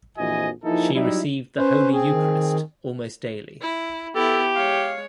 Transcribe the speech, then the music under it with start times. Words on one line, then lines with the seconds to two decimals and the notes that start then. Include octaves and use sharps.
She received the Holy Eucharist almost daily.
0.18 A#1 F2 E3 F#4 D#5 G#5
0.64 F3 A#3 D#4 E4 G#4 A4
0.94 F#3 G3 D#4 E4
1.57 C#4 B4 C5
1.93 C4 G#4
2.09 D#3
3.61 E4
4.15 B3 E4 G4 A4
4.56 G#3 C#5 F5